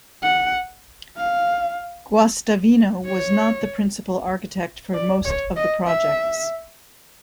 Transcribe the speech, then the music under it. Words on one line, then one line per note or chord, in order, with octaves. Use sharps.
Guastavino was not the principal architect for most of the projects.
F#5
F5
C#5
D5
C#5
D#5
E5